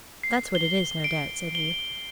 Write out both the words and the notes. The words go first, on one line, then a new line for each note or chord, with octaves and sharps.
"That's what it is, no doubt," said he.
C7
G7
D7
G7